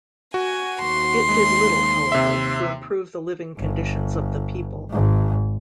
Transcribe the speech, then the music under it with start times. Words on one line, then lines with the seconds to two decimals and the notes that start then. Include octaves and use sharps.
It did little, however, to improve the living conditions of the people.
0.34 F#4 G#5
0.82 D#2 C6
1.29 G#3
2.12 C3 E5
3.59 G1
4.90 G#1 G#2